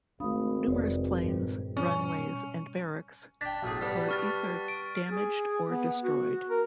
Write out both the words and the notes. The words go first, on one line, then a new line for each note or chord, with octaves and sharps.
Numerous planes, runways and barracks were ether damaged or destroyed.
G#1 A3 D4 F5 B5 D#6
F1 B4 C#5 D5
G2 A#2 G3
B2 C#4
D4 G5 A6 B6
B1 A2 G#4
G3 B3 D4
C#6 F6 A6
D7
G#4
B3
F#4
A#4